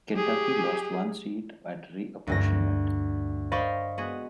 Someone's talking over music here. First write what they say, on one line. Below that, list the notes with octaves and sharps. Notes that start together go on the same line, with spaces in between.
Kentucky lost one seat at reapportionment.
G4 G#4
D2 G2 A#6
C5 D5 D#5 F5 B5 C#6
G#3 B3 F#4 G#4